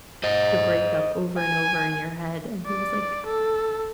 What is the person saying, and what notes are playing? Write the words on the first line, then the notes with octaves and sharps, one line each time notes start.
the breakup over and over in your head." And he was like,
C5 D#5
G#5
D5
A4